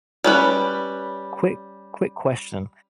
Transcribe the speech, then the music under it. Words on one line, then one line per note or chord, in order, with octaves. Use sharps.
quick quick question.
G3 C#4 B4